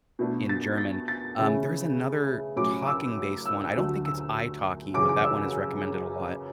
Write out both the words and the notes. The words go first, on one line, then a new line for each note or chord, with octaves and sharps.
in German, um, there is another talking-based one, I don't think it's Italki, but that one is recommended a lot.
B2 A3 D4
A6
A6
A6
C#3 E3 A3 C#4 E4
A2 F#3 C#4 D6
D6
E6
E6
D2 D3 F#3 A3
E6
F#2 C#3 E3 D6
D6
E6